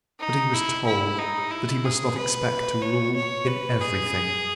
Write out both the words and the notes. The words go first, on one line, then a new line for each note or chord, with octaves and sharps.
But he was told, that he must not expect to rule in every thing.
D#4
E4
E4
D#4
E4
G#4
B4
C#5
C#5
B4
G#4